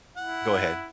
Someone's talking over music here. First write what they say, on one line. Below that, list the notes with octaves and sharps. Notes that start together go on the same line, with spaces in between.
Go ahead.
E4 F#5